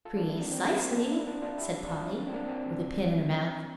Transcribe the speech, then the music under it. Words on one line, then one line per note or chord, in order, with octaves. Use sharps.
"Pre-cisely," said Polly, with a pin in her mouth.
F4 A4
D4 F4
C4 E4
A#3 D4
C4
A#3
C4
A#3 D4
C4 E4
D4 F4
D4 F4
E4 G4
D4 F4
C4 E4
A#3 D4
C4
A#3 D4
C4